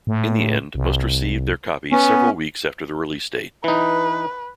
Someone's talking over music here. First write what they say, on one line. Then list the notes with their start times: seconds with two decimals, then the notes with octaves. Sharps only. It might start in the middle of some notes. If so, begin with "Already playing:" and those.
In the end, most received their copies several weeks after the release date.
0.07 A2
0.75 C2
1.92 B3 C#4
3.64 E3 D#4 B4